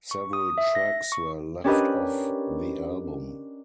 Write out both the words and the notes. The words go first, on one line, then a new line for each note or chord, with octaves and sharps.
Several tracks were left off the album.
C#6
D#6
E5
A#6
C#6
C#4 D4 G4 A#4 B4 D#5